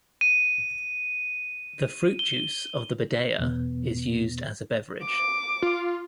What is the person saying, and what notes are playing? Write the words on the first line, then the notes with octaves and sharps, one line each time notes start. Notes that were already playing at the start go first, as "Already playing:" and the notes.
The fruit juice of the badea is used as a beverage.
D#7
G7
E2 B2 B3
D6
F4